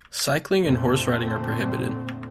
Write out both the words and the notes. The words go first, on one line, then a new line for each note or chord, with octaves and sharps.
Cycling and Horse Riding are prohibited.
F2 A#2 D3 A3 C4